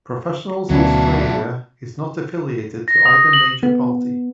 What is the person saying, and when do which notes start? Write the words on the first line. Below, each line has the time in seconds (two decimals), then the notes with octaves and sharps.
Professionals Australia is not affiliated to either major party.
0.70 D2 B2 F#3 G#3 C#4 D4 E4
2.88 A#6
3.06 D#6
3.33 F#7
3.63 B3